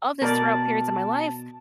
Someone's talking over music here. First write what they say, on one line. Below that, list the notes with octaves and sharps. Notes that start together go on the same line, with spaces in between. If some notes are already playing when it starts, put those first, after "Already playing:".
of this throughout periods of my life
B2 A#4 D5 A5